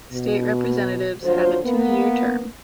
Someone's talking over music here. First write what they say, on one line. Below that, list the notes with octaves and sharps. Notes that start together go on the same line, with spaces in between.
State Representatives have a two-year term.
B2
D2 D3 F3 F#3 F4 C5
A#3 B3